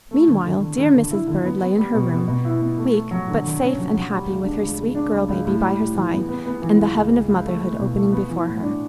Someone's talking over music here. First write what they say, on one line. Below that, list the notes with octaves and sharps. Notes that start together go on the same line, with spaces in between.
Meanwhile dear Mrs. Bird lay in her room, weak, but safe and happy with her sweet girl baby by her side and the heaven of motherhood opening before her.
A3
D3
D3
D3
D3
D3
E4
D3
B3
B3
G3
B2
B3
B2
E4
B3
A3
A3
F#3
D3
D3
C#4
F#3
F#3
G3
C#2
D4
C#2
C#2
D4
C#2
C#2
A2
G3
A2
E3
B3
B3
B3
E3
C#2
C#2
C#2
C#2
A3
A3
B2
A3
B3
E3
A2
D4